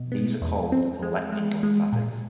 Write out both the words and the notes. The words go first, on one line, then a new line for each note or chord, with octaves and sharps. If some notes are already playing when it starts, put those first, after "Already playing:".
These are called the "collecting lymphatics".
Already playing: B2
B3
E2
C4
G#3
G#3
G#3
A#2